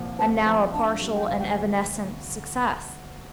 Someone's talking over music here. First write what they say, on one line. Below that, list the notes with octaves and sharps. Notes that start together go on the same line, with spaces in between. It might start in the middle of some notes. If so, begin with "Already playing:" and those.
And now a partial and evanescent success.
Already playing: C2 A#2 F3
C4 A5
F3 A#5
D4 A5
G3
G5
D2 F5
G5